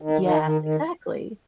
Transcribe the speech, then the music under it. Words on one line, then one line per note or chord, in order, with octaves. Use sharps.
Yes, exactly.
D#3
D#3
D#3
D#3